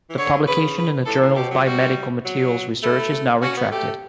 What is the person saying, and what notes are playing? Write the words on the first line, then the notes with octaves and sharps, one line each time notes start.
The publication in the Journal of Biomedical Materials Research is now retracted.
E3
D3 C#5
C#3 B4
B4
A2 A4
A2
B2 G4
F#3
G3 F#4
F#3
A3 E4
C#4 F#4
B3
A3 G4